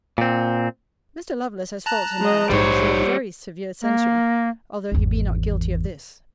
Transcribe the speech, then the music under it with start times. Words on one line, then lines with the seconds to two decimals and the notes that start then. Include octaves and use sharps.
Mr. Lovelace has faults enow to deserve very severe censure, although he be not guilty of this.
0.18 A#2 C4
1.86 A5 A#5 F#6
2.20 G#3 D#5
2.49 A#1 G#2 G3 D#4 C5 C#5
3.82 A#3
4.92 G#1 E2